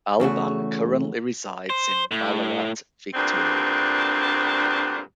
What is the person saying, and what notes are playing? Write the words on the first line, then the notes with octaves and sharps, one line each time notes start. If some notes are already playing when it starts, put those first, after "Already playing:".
Alban currently resides in Ballarat, Victoria.
E2 C#3 A3 F#4
C5
A2
D2 G2 A#2 C4 D4